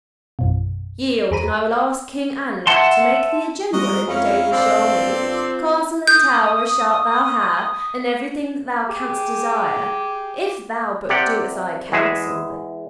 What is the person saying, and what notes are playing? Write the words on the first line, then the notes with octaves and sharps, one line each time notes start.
"Yield, and I will ask King Anlaf to make thee a general in the Danish army. Castle and tower shalt thou have, and everything that thou canst desire, if thou but do as I counsel thee."
A#1 F#2 B2
E2 G#4 C5 A#5 B5 D#7
E5 F#5 A5 C6
G3 G#3 F#4 A#4 D#5
F2 C#4 D#4 E4 F5
G1 C4 A4 D5 C6
F4
D#6 G6
G4 G#4
C3 G4 D5 F#5 G5
E2 G#3 G#4 E5